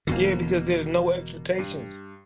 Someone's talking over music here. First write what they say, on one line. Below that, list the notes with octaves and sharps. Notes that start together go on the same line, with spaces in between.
Yeah, because there's no expectations.
E1 E2 B2 D3 A#3
G2